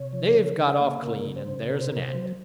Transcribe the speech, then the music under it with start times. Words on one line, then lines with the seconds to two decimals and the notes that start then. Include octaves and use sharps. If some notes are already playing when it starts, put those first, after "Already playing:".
They've got off clean, and there's an end.
Already playing: C3 C#5
0.13 F3
0.35 C#3
0.58 C#3
0.81 A#3
1.02 C#3 A#4
1.25 C#3
1.36 C5
1.47 C#3
1.69 C3 A#4
1.81 C5
1.91 C3 A#4
2.03 C5
2.14 F#3